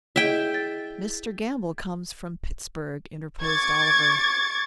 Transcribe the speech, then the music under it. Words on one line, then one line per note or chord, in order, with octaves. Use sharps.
"Mr. Gamble comes from Pittsburg," interposed Oliver.
E4 G#4 D#5 E5 G5
A6
C#6 D6 G#6 A6